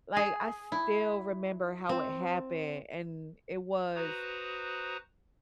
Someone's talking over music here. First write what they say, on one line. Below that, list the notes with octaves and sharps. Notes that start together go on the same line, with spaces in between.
like, I still remember how it happened, and it was
G#4
E4
C4
F#4 B4 C5 A#5 D#6